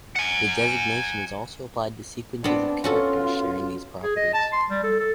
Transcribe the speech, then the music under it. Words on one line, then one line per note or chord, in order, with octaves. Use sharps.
The designation is also applied to sequences of characters sharing these properties.
F#5 G#5
B3 C4 D4
C#4 F4 F#4 A4
G#4
D#5
A5
C6
G3
A4
A4